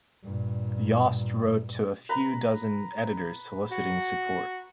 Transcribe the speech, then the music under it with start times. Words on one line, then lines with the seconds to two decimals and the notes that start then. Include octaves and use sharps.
Yost wrote to a few dozen editors soliciting support.
0.23 G2 A#2
2.09 B4 A#5
3.71 F#4